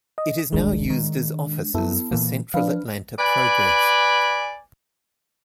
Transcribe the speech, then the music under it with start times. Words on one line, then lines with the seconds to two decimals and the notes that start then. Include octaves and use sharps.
It is now used as offices for Central Atlanta Progress.
0.18 D#5
0.53 D#1 A1 D#3 G#3 D4
0.90 D#3
1.74 F#2 F#3 B3 E4 A4
2.11 A#2 E3 A#3
2.54 F3 D4 B4 F5
3.19 B4 D5 G#5